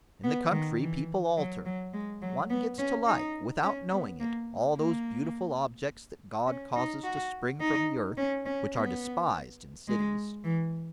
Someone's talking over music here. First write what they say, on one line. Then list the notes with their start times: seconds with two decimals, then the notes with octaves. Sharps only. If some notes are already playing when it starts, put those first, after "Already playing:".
In the country people alter; one gets to like, without knowing it, all those beautiful objects that God causes to spring from the earth, which are despised in cities.
0.24 B3
0.51 D#3
0.80 E3
1.37 F#3
1.66 F#3
1.94 G#3
2.22 F#3
2.50 B3
2.79 C#4
3.07 D#4
3.63 C#4
3.92 B3
4.20 A#3
4.77 A#3
6.47 C#4
6.75 D#4
7.04 F#4
7.60 D#4
8.17 C#4
8.46 C#4
8.74 B3
9.87 G#3
10.44 E3